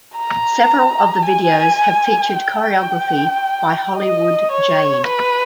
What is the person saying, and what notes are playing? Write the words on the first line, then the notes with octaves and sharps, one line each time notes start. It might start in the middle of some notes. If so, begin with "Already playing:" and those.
Several of the videos have featured choreography by Hollywood Jade.
A#5
G#5
G5
D#5
C#5
B4